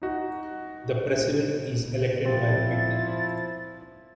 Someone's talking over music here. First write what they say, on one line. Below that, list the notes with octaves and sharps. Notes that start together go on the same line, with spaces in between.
The president is elected by the people.
D#4 F#4
F3 C4 E4 A6